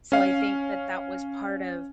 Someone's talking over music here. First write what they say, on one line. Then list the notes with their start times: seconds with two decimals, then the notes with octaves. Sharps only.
so I think that that was part of
0.12 C#4 F5